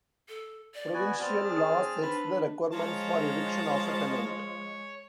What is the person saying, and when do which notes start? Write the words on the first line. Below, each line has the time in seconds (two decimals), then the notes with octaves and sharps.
Provincial law sets the requirements for eviction of a tenant.
0.29 A4
0.75 D5
0.94 B3 F#4 G#5
1.20 B3 C4 A5 F6
1.45 G#4
2.03 D4 B4
2.73 F3 G#3 C#5 A5 A#5